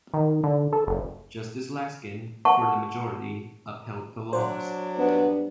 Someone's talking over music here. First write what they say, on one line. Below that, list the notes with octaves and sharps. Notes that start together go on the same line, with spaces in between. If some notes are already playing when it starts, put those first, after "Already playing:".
Justice Laskin, for the majority, upheld the laws.
D#3
D3
A4
F#1
F#5 A5 C#6
F#3 D4 C5
G2 B3